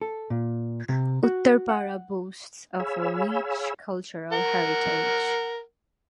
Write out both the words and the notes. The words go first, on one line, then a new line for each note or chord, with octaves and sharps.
Uttarpara boasts of a rich cultural heritage.
A4
A#2
C3
F#4
F#5
G#4 C#5 F5 G#5 B5 E6
A#4 F#5